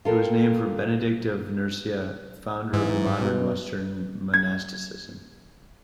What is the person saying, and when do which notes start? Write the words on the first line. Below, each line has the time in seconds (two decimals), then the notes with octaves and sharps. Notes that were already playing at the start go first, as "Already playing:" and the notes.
It was named for Benedict of Nursia, founder of modern western monasticism.
0.05 F4 A4 A#4 G5
2.73 G#2 E3
3.20 B2
4.34 G#6